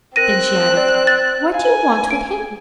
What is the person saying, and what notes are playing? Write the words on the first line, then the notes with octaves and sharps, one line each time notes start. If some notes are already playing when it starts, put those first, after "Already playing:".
Then she added: "What do you want with him?"
C4 A#4 F#6 A#6 D#7
D5
A6
F5 G#5
D7